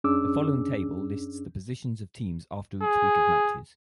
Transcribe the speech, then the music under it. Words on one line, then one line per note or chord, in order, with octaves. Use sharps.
The following table lists the positions of teams after each week of matches.
F#2 C#4 D4 G#4 D6 E6
G#4